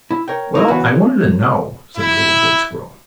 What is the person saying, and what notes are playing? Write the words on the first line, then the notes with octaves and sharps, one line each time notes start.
"Well, I wanted to know," said the little boy squirrel.
E4
A#4 C#5 G5
D#4 E4 A#4
C#3 E3 B3 F#4
E4